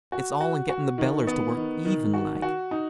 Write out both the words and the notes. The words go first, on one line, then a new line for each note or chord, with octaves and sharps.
It's all in gettin' the bellers to work even like.
F#4
F#4
F#4
D#3
B3
D#3
D#3
F#4
F#4
D#4